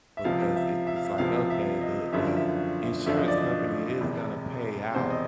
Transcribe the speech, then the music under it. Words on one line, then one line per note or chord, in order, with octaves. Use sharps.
because it's just like, "Okay, the the insurance company is gonna pay out,
E5
C#2 C3 F3 F5
E5
E5
F5
E5
C#2 C3 F3 F5
E5
D#5
G#1 F#2 D3 F3 E5
E5
E5
G#1 F#2 D3 F3 E5
D#5
D5
D#5
E1 E2 C3
E1 E2 C3 C5
D#5